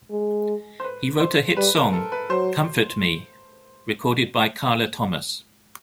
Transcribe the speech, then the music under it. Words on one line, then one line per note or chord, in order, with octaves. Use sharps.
He wrote a hit song, "Comfort Me", recorded by Carla Thomas.
G#3
C5
B4
C5
G3 B4
A#4
A4
B4
F#3 C5